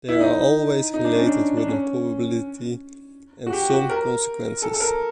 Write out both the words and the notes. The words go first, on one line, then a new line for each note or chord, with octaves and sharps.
They are always related with a probability and some consequences.
E4
D#4
D#4
D4
C#4
D4
D4
C#4
F#4
G4
F#4
A#4
A4
A4
A#4